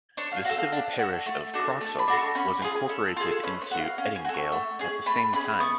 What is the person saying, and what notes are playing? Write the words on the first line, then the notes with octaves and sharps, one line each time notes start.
The civil parish of Croxall was incorporated into Edingale at the same time.
D4 C#5
F5
F#4 A4 F5
F5
D4
F#4 A4
A3
D4 F#4 A4
A3 A5
B5
D4 F#4 A4
C#6
C#4 B5
F4 G#4 G#5
C#4 A4
F4 G#4
A4
C#4 B4
C#5
F#4 A4
F5
C#4
G#5
F#4 A4
C#6
A3
C#4 G#4
A3 B5
C#4 G#4 B5
B3 C#6